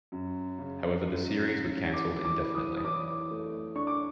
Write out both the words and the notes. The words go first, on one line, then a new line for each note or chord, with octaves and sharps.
However, the series was canceled indefinitely.
F#2
C#3
F#2
C#3
E3 D6
D6
E3
D#6
D#6
E3 D6
A3
D4 C#6
D6